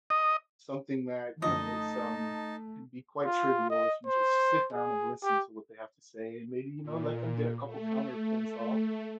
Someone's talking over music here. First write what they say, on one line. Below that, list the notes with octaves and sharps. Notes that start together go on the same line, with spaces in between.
something that you know, it's um, can be quite trivial if you just sit down and listen to what they have to say and maybe, you know, let them get a couple of counterpoints off
D#5
F#2 D3 F3 A3 D#4 D#5 A5
F4
D#5
C5
G#4
G4
A#2
A3